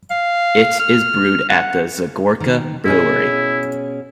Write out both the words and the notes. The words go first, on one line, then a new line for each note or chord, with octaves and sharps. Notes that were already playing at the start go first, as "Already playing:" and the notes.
It is brewed at the Zagorka Brewery.
F5
F6
F#5
D#3
B2 C#4 E4 G#4